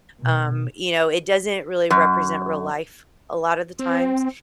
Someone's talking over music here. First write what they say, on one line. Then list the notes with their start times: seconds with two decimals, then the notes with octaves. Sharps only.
Um, you know, it doesn't really represent real life a lotta the times,
0.20 B2
1.90 F#2
3.79 C4